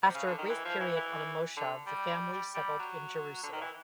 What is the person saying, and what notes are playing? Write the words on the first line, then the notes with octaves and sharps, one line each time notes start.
After a brief period on a "moshav", the family settled in Jerusalem.
C3
C#3
D3
D#3
E3
F3
E3
E3
D3
G3
G3
G3
F#3
D3
D#3
E3